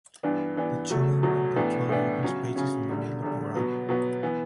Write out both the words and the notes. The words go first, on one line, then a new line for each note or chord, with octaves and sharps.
The two wingmen control the open spaces in the middle of the ground.
G2 E3 B3 D4
G2 E3 B3 D4
E2 B2 F#3 A3
E2 B2 F#3 A3
A2 E3 B3 D4
A2 E3 B3 D4
C#3 F#3 C#4
C#3 F#3 C#4
E2 D3 G3
E2 D3 G3
B2 F#3 B3
B2 F#3 B3
E3 B3